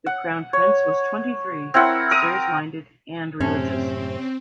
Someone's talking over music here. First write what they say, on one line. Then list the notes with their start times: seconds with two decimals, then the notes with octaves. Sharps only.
The crown prince was twenty-three, serious-minded, and religious.
0.06 F#5
0.53 C#5
1.74 C4 E4 A#4 F#5
2.11 A#4 D#6
3.40 F#2 A2 C3 C4 C#4